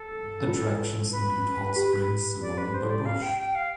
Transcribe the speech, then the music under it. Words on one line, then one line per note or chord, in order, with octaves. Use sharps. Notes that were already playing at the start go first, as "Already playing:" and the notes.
Attractions include hot springs surrounded by bush.
Already playing: A4
F4
B4
G4
D5
B4
C5
D5
F5
G5
G5
F5